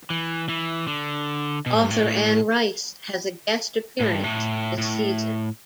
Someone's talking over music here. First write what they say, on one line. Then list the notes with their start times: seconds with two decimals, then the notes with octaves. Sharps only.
Author Anne Rice has a guest appearance this season.
0.10 E3
0.49 E3
0.88 D3
1.66 B2
1.74 A2
1.82 G2
1.91 A2
4.00 A2
4.12 G2
4.24 A2
4.78 A2